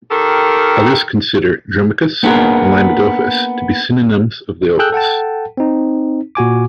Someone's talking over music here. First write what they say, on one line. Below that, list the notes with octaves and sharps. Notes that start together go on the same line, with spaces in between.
Others consider "Dromicus" and "Leimadophis" to be synonyms of "Liophis".
D#3 G4 A4 A#4
A#3 B3 D4 F#4 G#4 A#4
G#4 A4 G5 E6 F#6 G6
A4 F#5 G5 A5
C4 D#4
A#2 F#4 G#5 D6